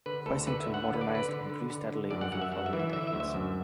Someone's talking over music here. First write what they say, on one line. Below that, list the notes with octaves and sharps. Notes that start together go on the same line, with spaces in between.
Hoisington modernized and grew steadily over the following decades.
D3 B4
D2 A4
D3 B4
E5
D2
F#5
D3
B4
D5
D3
B4
D3
D3
D3
D3
F#2 D5
F#5
F#2 F#5
E5
F#2 F#5
E5
E3
E5
D3 E5
E5
D2
E5
F#2